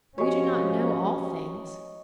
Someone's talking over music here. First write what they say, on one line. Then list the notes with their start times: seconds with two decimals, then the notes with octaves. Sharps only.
We do not know all things.
0.18 F3 C#4 F#4 G4 C#5 D#5 G#5